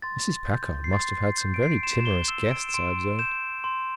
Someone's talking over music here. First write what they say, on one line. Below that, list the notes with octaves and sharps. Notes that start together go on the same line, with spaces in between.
"Mrs. Packard must have had some very timorous guests," I observed.
C6 A6
G6
C7
C6 A6
C7
G6
D7
C7
D7
C6 E7
E7
G7
E6 E7
D7
E7
C6 D7
G6 E7
C6